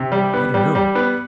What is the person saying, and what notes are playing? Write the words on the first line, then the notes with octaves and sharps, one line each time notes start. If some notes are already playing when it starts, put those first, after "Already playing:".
"I don't know."
Already playing: C3
G3
B3
G3
G3
B3